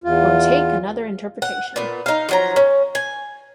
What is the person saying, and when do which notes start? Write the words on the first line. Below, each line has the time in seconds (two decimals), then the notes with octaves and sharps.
Or take another interpretation.
0.04 E2 F4
1.42 F#5
1.76 A#2 B3
2.06 D#4 F5
2.29 F3 F#3 A#5
2.56 C#4
2.95 G#5